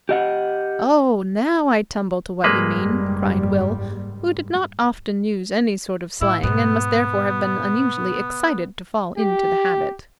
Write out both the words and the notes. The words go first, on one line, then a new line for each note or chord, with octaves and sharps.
"Oh! now I tumble to what you mean," cried Will, who did not often use any sort of slang, and must therefore have been unusually excited to fall into the habit.
G4 D#5 F#5
F#1 G#2 G3 G#3 A#3 B4
A2 E4
G#2 B2 B3
G4